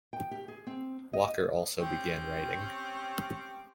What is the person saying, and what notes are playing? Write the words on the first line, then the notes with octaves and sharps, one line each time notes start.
Walker also began writing.
G5
G4
G#4
C4
D#5
C4 C#4 G4